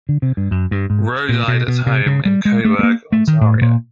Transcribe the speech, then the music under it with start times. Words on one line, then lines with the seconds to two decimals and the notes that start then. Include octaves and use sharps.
Rowe died at home in Cobourg, Ontario.
0.09 D3
0.22 C3
0.37 G2
0.51 F#2
0.71 G2
0.90 G#2
1.29 A#2
1.48 B2
1.68 B2
1.86 C3
2.06 C#3
2.26 G3
2.45 G#3
2.65 A3
2.79 A3
2.83 A#3
3.12 A3
3.28 D#3
3.41 A2
3.61 A#2